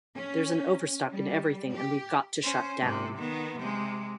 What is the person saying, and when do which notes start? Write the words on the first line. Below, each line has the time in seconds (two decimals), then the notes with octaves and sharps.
There's an overstock in everything, and we've got to shut down.
0.16 C#4
1.11 G3
1.73 G4
2.44 C#4 C5
2.81 G#2 C3
3.18 D#3 B3
3.59 C3 G#3